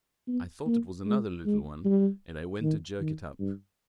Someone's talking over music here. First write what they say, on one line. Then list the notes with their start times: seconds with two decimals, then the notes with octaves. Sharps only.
I thought it was another little one, and I went to jerk it up.
0.28 B3
0.67 A#3
1.06 G#3
1.45 G#3
1.84 G3
2.62 D#3
3.00 D#3
3.39 G2